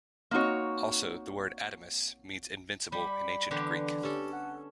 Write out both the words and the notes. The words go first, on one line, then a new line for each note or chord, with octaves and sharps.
Also, the word "Adamas" means "invincible" in Ancient Greek.
A#3 C4 D#4 F#4 C#5
G3 B5
D3 E3 B3 G4
C#4 G4 A4
F#5